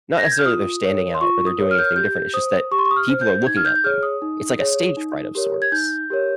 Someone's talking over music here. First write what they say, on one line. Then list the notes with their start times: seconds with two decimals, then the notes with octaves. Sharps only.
not necessarily they're standing out or they're doing anything different, it's just that people are looking at them, it's like a stage fright of sorts
0.18 A#6
0.25 G#6
0.32 G6
0.39 F6
0.46 F4 D#6
0.83 A#4 C#5
1.14 C6
1.21 F4 C#6
1.47 D#6
1.58 A#4 C#5
1.71 F6
1.78 G6
1.85 F6
1.96 G4 G6
2.33 C5 D#6
2.71 G4 C#6
2.79 C6
2.85 C#6
2.91 D#6
2.96 F6
3.09 C5
3.21 G6
3.47 D#4 G#6
3.57 F6
3.65 G6
3.76 G6
3.84 G#4 C#5 F6
4.03 D#6
4.22 D#4
4.60 G#4 C#5
4.97 D#4
5.35 G4 A#4 C#5
5.62 G#6
5.72 D#4 G6
6.10 G4 A#4 C#5